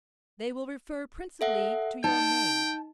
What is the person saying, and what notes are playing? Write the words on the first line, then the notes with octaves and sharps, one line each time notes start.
"They will refer principally to your maid."
A4 E5 F#5
D#4 G5 A5